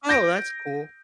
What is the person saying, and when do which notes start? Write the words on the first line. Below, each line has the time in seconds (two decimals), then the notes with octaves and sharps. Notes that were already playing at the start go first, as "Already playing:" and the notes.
Oh, that's cool.
0.09 G6 A#6 D7